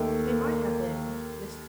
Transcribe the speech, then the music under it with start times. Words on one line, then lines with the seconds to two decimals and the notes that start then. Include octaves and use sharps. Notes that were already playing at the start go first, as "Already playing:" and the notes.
They might have been--Mrs.
Already playing: D#2 D#3 A3
0.29 A#3